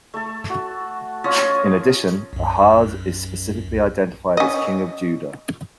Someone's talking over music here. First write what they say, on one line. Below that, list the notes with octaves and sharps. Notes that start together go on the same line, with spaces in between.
In addition, Ahaz is specifically identified as king of Judah.
A3 A4
F#4
C#4 F4 C#5 D#5
B1 F#2
C#4 D#5